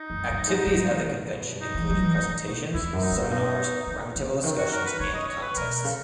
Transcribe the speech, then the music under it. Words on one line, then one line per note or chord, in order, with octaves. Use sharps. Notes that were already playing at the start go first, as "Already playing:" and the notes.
Activities at the convention included presentations, seminars, round-table discussions and contests.
Already playing: D#4
F#2
F#2
G#2
F#3
E3
D#3
B2
D#4
E3
F#3
E3
C#3
B2
E2 E4
F#2
D#4
G#2
A#2
B2 D#4
C#3
C#3
D#3
F#4
A#4
B4
C#3 C#5
D#5
C#5
B4
B2 A#4
A#4
C#3